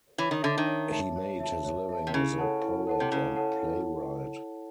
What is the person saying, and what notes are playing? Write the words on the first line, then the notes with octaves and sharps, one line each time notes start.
He made his living as a poet and playwright.
E3 C#5
D#3
D3 E5 A5
D#3
C#5
E5 A5
C#5
E5 A5
C#5
E5 A5
C3
C#3 E4
A4 C#5 F#5 A5
E4
A4 C#5 F#5 A5
C3
C#3 E4
A4 C#5 F#5 A5
E4